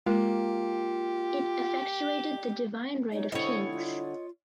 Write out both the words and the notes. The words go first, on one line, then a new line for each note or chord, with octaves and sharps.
It effectuated the divine right of kings.
G#3 A#3 F4 G4
D#4 C#5
D3 G3 E4 C5 C#5 D#5
F4